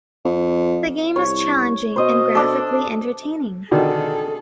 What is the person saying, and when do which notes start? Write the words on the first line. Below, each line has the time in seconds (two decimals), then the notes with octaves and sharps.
The game is challenging and graphically entertaining.
0.25 F2
1.16 C2 C#5
1.96 B2 C5 D#5
2.35 D4 A4
3.71 B2 D3 D#3 G#4 A4